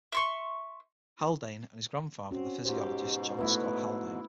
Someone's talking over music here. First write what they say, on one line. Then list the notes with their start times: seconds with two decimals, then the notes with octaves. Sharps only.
Haldane and his grandfather the physiologist John Scott Haldane.
0.12 E5 C6 C#6
2.31 C4 C#4 F#4
2.65 G#2 B2 G4 C5
3.39 A2 A3 B3 E4 F#4 B4